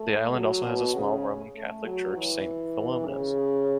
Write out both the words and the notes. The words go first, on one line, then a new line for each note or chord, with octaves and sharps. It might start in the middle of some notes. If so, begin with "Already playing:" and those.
The Island also has a small Roman Catholic Church- Saint Philomena's.
Already playing: A3
F#3
B2
C#3
A3
F#3
E3
C#3